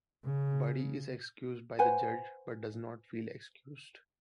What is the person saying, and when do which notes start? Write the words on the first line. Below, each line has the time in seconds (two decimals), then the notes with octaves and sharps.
Buddy is excused by the judge, but does not feel "excused".
0.24 C#3
1.79 B4 C5 F#5 G#5